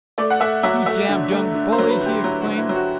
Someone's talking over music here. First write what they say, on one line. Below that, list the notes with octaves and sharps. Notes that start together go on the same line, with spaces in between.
"You damned young bully!" he exclaimed.
A3 D5
F#5
A3 E5
F#3 E5
A3 E5
D3
A3
D3
C5
F#3
B4
D3
G4
F#3 E4
F#4
D3
E4
F#3
F#4